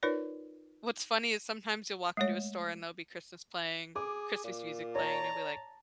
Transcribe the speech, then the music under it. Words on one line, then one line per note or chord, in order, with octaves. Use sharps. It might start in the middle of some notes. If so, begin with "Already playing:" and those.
what's funny is sometimes you'll walk into a store and there'll be Christmas playing Christmas music playing, and you'll be like,
D#4 F4 A#4 B4 C#5 D5
G#3 A3 C#5
G#4 D6
A#2
C#5 D5 A5 A#5